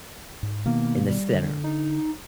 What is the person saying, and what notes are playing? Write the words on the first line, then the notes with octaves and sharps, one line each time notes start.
in the center,
G#2
B2 D#3 A#3 B3
G3
D3
D#4